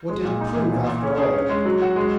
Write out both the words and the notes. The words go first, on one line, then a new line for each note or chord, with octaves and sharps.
What did it prove after all?
G#3
A#2
D#4
E3
A#2
A#2
C#4
G#4
C#4
G#3
F#3
F#4
G#3